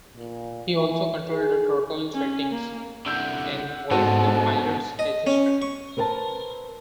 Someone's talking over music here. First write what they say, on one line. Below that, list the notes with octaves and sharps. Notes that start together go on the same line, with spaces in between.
He also controlled the throttle settings and was the pilot's "assistant".
A#2
E3
G#4
C#4
A#3
C2 D3 F#5 E6 G6
G#2 B2 D3 C4 F#4 A4 A5
D#5
C#4
C#6
C4 A#4 B4 G5 A5